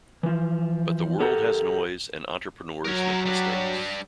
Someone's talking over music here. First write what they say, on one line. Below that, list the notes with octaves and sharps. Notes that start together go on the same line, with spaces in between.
But the world has noise and entrepreneurs make mistakes.
E3 F3
G4 A4 A#4 F#5
F#3 A#4 C#5
G3 D4